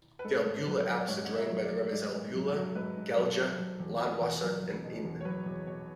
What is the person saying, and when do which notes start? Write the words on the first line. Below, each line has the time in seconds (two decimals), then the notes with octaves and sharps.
The Albula Alps are drained by the rivers Albula, Gelgia, Landwasser and Inn.
0.19 B4
0.24 G#2 A4
0.45 G#2
0.67 F#3 B4
0.88 F#3
0.98 D5
1.08 G#2 C#5
1.25 G#2 F#5
1.35 E5
1.50 F#3
1.64 D5
1.70 F#3
1.92 G#2 D5
2.13 G#2
2.34 F#3
2.47 A4
2.54 F#3
2.75 G#2 B4
2.97 G#2
3.17 F#3 A4
3.37 F#3
3.59 F#3
3.80 E2
4.00 B2
4.21 E2
4.42 F#3
4.63 E2
4.84 B2
5.05 E2
5.21 C#5
5.25 F#3 B4
5.46 E2
5.67 B2 C#5